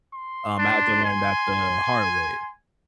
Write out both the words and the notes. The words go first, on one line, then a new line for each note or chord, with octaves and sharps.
um, I had to learn that the hard way.
C6
D4
G#5